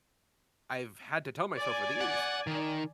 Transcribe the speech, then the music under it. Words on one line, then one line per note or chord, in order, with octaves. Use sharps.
I've had to tell myself over the years,
D5 G#5
F#5
D#3